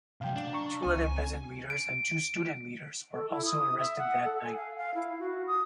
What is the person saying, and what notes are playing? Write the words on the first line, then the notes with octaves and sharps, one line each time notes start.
Two other peasant leaders and two student leaders were also arrested that night.
C3 F#3 F5 G5
D4
A#5 C#6
C#2 C4 G#5
D7
A4
E4
D#6
E5
F#5
A4
G#5
F5
F5
E4
F#4
D#6